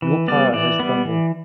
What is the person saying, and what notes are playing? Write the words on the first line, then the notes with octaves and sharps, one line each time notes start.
Your power has crumbled.
E3
G3 B3 D5
E3 D5
G3 B3
E3